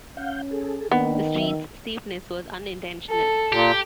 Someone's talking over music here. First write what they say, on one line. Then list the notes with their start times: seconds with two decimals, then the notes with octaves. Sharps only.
The street's steepness was unintentional.
0.17 C#4 F5 F#5 G6
0.51 G#4 A4
0.91 D#3 A#3 B3 D4 D#4
1.35 F#3 E5
3.08 A4
3.53 A#2 G4